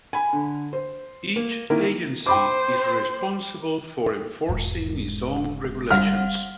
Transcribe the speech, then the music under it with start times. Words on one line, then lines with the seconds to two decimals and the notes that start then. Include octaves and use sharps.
Each agency is responsible for enforcing its own regulations.
0.13 G#5 B5
0.33 D3
0.73 C5
1.36 A#3
1.70 D#3 A#3 E4 A#4
2.26 C5 G5 B5 D6
4.49 E1 G#2
5.91 G3 F5 F#5 F6